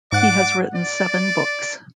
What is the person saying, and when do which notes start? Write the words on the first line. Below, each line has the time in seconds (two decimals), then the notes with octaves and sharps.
He has written seven books.
0.12 G#2 D5 F#5 D6
0.75 D5